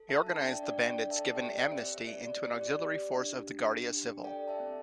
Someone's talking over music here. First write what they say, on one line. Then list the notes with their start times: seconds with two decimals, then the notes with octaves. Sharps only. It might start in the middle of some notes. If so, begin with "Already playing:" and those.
He organized the bandits given amnesty into an auxiliary force of the Guardia Civil.
Already playing: A4
0.09 E5 A5
0.26 D4 E5 A5
0.45 D5 G5
0.63 D4 D5
0.87 D5 G5
1.00 A4
1.11 E5 A5
1.35 G4 D5 G5
1.72 C4 C5 E5
2.07 C4 D5
2.25 D5
2.44 G4 C5
2.61 D5
2.80 G4
3.17 D4
3.53 D4
3.88 G4
4.24 A4 D5 G5
4.48 E5 A5
4.60 C4